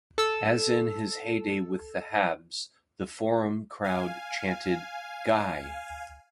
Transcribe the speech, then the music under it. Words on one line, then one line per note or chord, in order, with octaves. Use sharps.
As in his heydey with the Habs, the Forum crowd chanted Guy!
A4 E6
F5 G#5